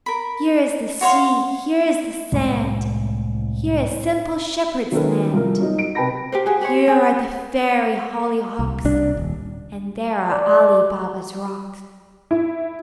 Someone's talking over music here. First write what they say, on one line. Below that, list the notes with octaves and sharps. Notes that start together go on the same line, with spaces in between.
Here is the sea, here is the sand, Here is simple Shepherd's Land, Here are the fairy hollyhocks, And there are Ali Baba's rocks.
A#4 B5
F#4 C#5 F5 C6
C2 A2 G#3 A3
D#3 F#3 A#3 C#4 A4 B4
C2 F3 A#4
F#3 D#4
D7
C3 B4 G5 A5 B5 A#6
G4 A#4 C5
F#4 G#4 G5
G4 C5 C#5
C#4 G#4
C2
C2 D4
D#1
D5
E4